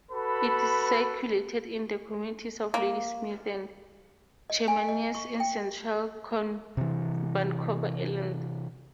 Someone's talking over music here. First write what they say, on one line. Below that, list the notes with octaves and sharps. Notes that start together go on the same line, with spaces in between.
It is circulated in the communities of Ladysmith and Chemainus, in central Vancouver Island.
F#4 A4 B4 B5
A#3
D#5
G#5
D#5
C#6
G5
C3 E3